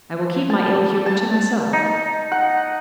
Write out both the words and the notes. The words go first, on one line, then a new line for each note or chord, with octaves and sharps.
I will keep my ill-humour to myself.
A5
A5
D#4
F#5